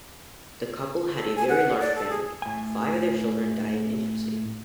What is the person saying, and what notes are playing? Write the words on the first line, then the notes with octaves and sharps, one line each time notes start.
The couple had a very large family; five of their children died in infancy.
A4
G#5
F#5
D5
A4
G#4
A2 G#5